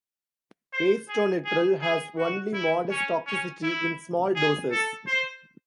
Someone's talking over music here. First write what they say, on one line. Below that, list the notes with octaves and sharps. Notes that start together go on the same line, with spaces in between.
Acetonitrile has only modest toxicity in small doses.
C5
G#4
G#4
G#4
F#4
E4
C#4
C#4
E4
G#4
A4
C5